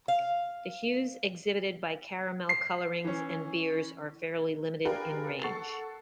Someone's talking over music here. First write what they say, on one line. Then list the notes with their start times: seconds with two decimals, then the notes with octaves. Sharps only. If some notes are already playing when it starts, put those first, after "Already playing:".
The hues exhibited by caramel colorings and beers are fairly limited in range.
0.08 F5
2.49 C7
3.04 E3 C#4
4.85 D4 F4 G4 G#4 A#4 B4
5.43 A4 F#5 C#6 A6 C7